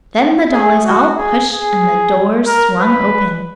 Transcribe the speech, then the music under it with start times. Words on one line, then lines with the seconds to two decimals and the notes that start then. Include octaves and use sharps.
Then the dollies all pushed and the door swung open.
0.52 G#4
0.85 F#4
1.17 G#4
1.50 G#4
2.47 A#4
2.80 B4